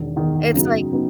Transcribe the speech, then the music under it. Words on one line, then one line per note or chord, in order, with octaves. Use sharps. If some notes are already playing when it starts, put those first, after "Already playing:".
It's like
Already playing: E1 E2 D#3
E1 E2 D#3
F#2 C#3 F#3 B3 D#4
C#3 F#3 B3 D#4